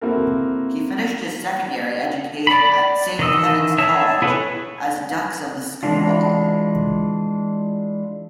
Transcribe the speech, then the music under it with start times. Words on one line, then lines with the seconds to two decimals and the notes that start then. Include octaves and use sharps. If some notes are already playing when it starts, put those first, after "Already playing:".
He finished his secondary education at Saint Kevin's College as dux of the school.
0.01 A#3 C4 E4 F#4 A4 A#4
2.47 D5 B5
3.19 D#3 E3 D#5 E6
3.78 G#4 C#5 E5 A5 E6
4.22 E4 G#4 A4 B4 C#5
5.83 E3 G#3 D4 F4